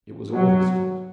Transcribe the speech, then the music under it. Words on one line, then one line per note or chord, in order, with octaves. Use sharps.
It was all his fault.
F#3